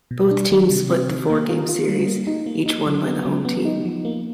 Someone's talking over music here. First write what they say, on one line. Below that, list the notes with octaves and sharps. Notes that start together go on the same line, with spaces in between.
Both teams split the four-game series, each won by the home team.
B2
D4
D#3
C3
C4
D#3
A#3
F4
F4
G3
A#3
D#4
A#3
D#4
F#3
B3
F#3
B3
D#4
F3
A#3